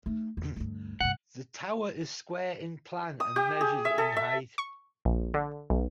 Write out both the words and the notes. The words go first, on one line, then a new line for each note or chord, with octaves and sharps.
The tower is square in plan and measures in height.
A3 D#4
E2
D2 G2
G2 C3 F#5
D#6
G4
G#4
E5
A4
E5
C#6
A#1
D3
B1